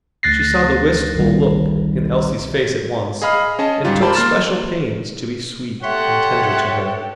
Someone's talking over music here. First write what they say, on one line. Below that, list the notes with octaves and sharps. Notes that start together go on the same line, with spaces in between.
She saw the wistful look in Elsie's face at once, and took special pains to be sweet and tender to her.
D2 F#6 A6 A#6 C7
G1 C2 D#3 G3
G#4 D#5 F5 B5 F6
C#4 G#4 D#5 A5
G#2 G3 F4
G4 A#4 C5 A5 B5 C6
A#3 C6 F6 A6 E7
G4 A4 C#5 E5 F#5 C6